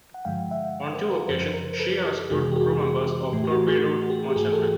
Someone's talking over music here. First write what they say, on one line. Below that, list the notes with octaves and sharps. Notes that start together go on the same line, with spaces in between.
On two occasions, she rescued crew members of torpedoed merchantmen.
F#5
G2 D3 F3 G#3 F5 G5
E5 F#5
A#4 C5
A4 B4
F#2 C#3 F3 A#4 C5
A#4 C5
A#4
A4 B4
G4 A4
F2 C3 E3 G#3 F#4 G#4
G4
F#4 G#4
G4
G4
A2 E3 A3
G4
F#4
F#4 G#4
F#4
F#4
G4
G4
G#2 E3 A3 F#4 G#4
G4 A4